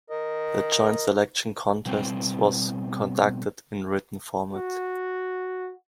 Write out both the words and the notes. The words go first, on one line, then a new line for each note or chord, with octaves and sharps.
The Joint Selection Contest was conducted in written format.
A#4 D#5
B2 G3 B3 C4
F#4